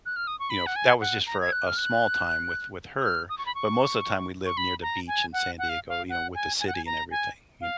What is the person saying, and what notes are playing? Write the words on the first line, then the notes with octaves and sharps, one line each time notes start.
you know, f that was just for a a small time with with her, but most of the time, we lived near the beach in San Diego, you know, with the city and everything, you kn
F#6
F6
D#6
C#6
B5
F#5
G#5
F#5
A#5
G#6
F#6
F6
F#6
D#6
F6
D#6
C#6
B5
C#6
C#6
B5
A#5
G#5
F#5
F#5
F5
F5
F#5
G#5
G#5
F#5
G#5
A#5
G#5
F5